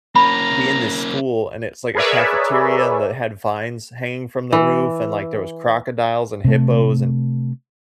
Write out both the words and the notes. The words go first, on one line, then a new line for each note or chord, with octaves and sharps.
be in this school, and it's, like, a cafeteria and that had vines hanging from the roof, and, like, there was crocodiles and hippos and,
A#3 C#4 A#5 B5
G#4 A#4 B4 C#5 D5 E5
E3
C3 A3